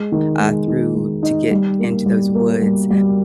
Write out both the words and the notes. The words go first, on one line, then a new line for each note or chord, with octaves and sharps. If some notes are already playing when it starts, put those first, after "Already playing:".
uh, through to get into those woods,
Already playing: G#3
D#3
G#3
D#3
G#3
D#4
G3
A#3
G3
A#3
G3
G3